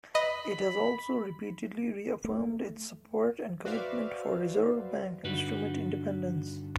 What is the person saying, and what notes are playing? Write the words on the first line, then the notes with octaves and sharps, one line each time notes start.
It has also repeatedly reaffirmed its support and commitment for reserve bank instrument independence.
D#5 B5
A3
F#4 B4 C5 D5 E5 F5
G2 D3 D#4 F#4 B4